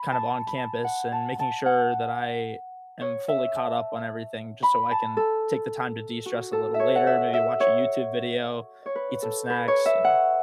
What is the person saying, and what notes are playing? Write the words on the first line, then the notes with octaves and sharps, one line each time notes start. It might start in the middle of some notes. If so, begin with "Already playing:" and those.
kind of on campus and making sure that I am fully caught up on everything just so I can take the time to de-stress a little later, maybe watch a YouTube video, eat some snacks, you know.
Already playing: B5
A5
B5
A5
F#5
A5
A5
F#5
C#5
E5
A5
B5
A5
A4
F#4
A4
E5
C#5
F#5
E5
E5
C#5
C#5
B4
A4
B4
C#5
E5
F#5